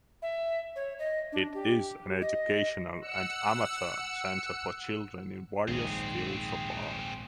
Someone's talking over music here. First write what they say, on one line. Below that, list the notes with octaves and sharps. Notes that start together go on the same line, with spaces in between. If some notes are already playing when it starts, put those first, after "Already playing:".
It is an educational and amateur center for children in various fields of art.
E5
C#5
D#5
D4
G4
D#5
F#5 E6 C#7
A#1 D#2 G#2 C4 G#4